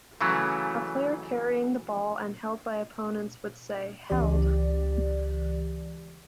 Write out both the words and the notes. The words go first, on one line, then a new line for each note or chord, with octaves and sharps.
A player carrying the ball and held by opponents would say, Held!
C#3 E3 F#3 A3
C#2 C#3 E3 G4 D5